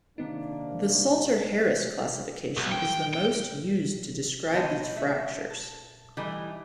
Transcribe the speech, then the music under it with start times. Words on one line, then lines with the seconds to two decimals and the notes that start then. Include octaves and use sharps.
The Salter-Harris classification is the most used to describe these fractures.
0.18 C3 D#3 A#3 C4 D4 D#4
2.57 B1
2.72 G5
3.14 G5
4.52 B2 F#4 C5 D#5 E5 A5
4.96 A3 E5
5.50 A5
6.17 E3 G3 A3 D#4 E4